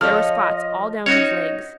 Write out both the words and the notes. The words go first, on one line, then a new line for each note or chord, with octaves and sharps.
There were spots all down his legs.
F3 A4 C#5 D#5 F6
C#4 D#4 F#4 C#5 D#5